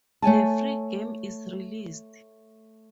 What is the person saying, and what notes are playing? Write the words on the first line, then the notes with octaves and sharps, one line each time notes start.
The free game is released.
A3 C#5 G#5 A5